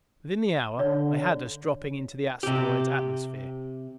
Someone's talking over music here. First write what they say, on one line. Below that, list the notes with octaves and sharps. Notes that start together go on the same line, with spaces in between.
Within the hour I had us dropping into the asteroid's atmosphere.
D3 C#5
C3 G4